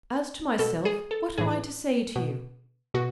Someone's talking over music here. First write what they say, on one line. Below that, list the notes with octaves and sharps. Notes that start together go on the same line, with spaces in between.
As to myself, what am I to say to you?
B2 A4
G#4
A4
A2 E3 G#4
B2
B2 F#4